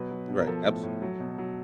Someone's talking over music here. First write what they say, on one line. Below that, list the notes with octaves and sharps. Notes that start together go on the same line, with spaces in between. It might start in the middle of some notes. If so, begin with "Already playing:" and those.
Right, absolutely.
Already playing: B2 F#3 B4
F#3
B2
A#4
F3 A4
A2
A2
F#3
B2
F#3